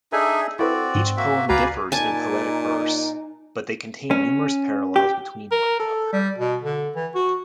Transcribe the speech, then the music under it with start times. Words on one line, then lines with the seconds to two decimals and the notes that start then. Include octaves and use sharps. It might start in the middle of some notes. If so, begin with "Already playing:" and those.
Each poem differs in poetic verse, but they contain numerous parallels between one another.
0.12 D4 D#4 G#4 A4 E5 G#5
0.59 C4 E4 F#4 A4 B4 D5
0.95 G#2 D#6
1.17 A#3 F#4 E5
1.49 C#2 F#4 B4 D5 F5 G#5 A#5 B5
1.92 A#2 D#4 G#5 A5
4.11 C#4
4.96 G4
5.51 A#4
5.80 A4
6.13 G3
6.38 B2
6.62 D3
6.95 E3
7.15 F#4